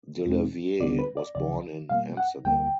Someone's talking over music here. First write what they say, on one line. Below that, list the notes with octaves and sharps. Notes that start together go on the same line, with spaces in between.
De Levie was born in Amsterdam.
E2 B2 G#3 C4 D#4
D2 D3 G3 B3 D4 D5
B4
D5
C#2 C#3 F3 D5
B2 G3 A#3 F5
F#5
D2 D3 G3 A#3 G5